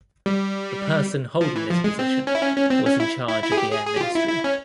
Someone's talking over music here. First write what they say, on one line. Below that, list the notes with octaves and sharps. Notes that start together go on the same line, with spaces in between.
The person holding this position was in charge of the Air Ministry.
G3
F3
E3
F3
G#3
C4
C#4
E4
C#4
C#4
C4
C#4
E4
E4
E4
G#4
G4
G#4
G#4
G4
F4
E4
E4
C#4